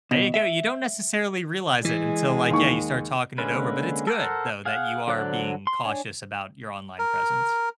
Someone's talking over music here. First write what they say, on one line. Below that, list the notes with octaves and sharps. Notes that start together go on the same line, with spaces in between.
There you go, you don't necessarily realize it until, like, yeah, you start talking it over, but it's good, though, that you are being cautious about your online presence.
B2
E5
E3 G#3
D#2 C#6
D3 G#3 A#3 C#4 B4
A4 A#4 C5 F#5
G#4 F5 F#5
D3 F#3 C5 D5 F#6
C6
D4 C#5 G#5
A#4